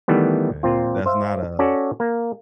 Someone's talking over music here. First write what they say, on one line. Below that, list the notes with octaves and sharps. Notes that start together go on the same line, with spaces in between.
and, that's not a
D#3 E3 G3 A3 B3
A#2 C4 F4
C5 E5 F5
C#4 F#4 A4 D5
A#3